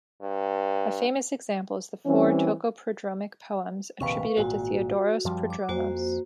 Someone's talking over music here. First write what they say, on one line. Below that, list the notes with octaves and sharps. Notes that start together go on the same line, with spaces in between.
A famous example is the four Ptochoprodromic poems attributed to Theodoros Prodromos.
G2
E3 G3 C4 C#4
A#1 D#2 C3 B4 F5 C#6
G#1 A#2 F#4
F#2 F3 G3
D6
F2 A#3 F#4 C5